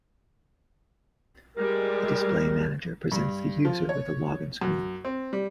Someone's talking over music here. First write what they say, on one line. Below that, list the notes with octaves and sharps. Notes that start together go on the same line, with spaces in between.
A display manager presents the user with a login screen.
G3 G#3 A#4
G2
F3
C#5
F#2
C4
G3